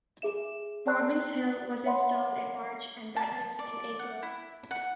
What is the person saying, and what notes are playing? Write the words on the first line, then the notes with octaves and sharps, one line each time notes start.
Robin's hill was installed in March and Batman's in April.
G#4 E5 E7
D5 G5 A5 A#5 C#6 F#6
C#5 E5 F#5 B5 C6
A5
D5
F#5
E4
F#5